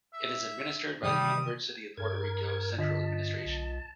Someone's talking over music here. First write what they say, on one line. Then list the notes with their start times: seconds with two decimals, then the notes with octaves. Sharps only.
It is administered by the University of Puerto Rico, Central Administration.
0.13 E5
1.03 C3 D#3 E3 G3 D#6
1.97 G2 A#4 G#6
2.78 D3 F4 D#5 A5 B6
3.45 B1